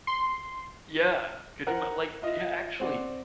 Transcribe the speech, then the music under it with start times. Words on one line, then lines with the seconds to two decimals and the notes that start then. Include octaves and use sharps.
Yeah. Could you ma like, yeah, actually
0.07 C6
1.67 A#4 C5 F#5 F#6
2.22 E4 F4 D#5
2.80 C4 F#4 D5